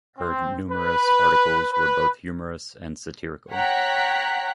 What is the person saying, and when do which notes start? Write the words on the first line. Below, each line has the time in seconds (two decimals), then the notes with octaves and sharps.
Her numerous articles were both humorous and satirical.
0.19 C4
0.71 B4
1.73 B4
3.51 C#5 F#5 G5 A#5 F#6 B6